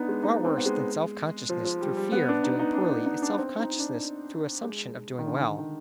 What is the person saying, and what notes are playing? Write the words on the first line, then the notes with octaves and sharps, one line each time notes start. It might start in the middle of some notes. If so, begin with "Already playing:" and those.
Far worse than self-consciousness through fear of doing poorly is self-consciousness through assumption of doing well.
Already playing: B3 D4 D#4
G#3
D#4
C4
B3
G#3
F3
F3
G3
G3
B3
D4
D#4
D#4
D4
D4
D#4
D4
C4
D#4
D4
G#3
D#3
D3
D3
D#3